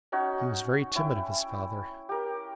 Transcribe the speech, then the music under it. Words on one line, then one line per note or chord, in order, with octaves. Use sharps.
He was very timid of his father.
C#4 D#4 F#4
C#4 E4 G5
G4 A#4